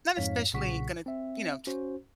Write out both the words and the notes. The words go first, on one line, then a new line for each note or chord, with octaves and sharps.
not especially gonna, you know, t
F2 G#2 C#5 F5 B6
B1 A#2 C#3 F#5 C#6 B6
C4 E5
C#4 F#4 C5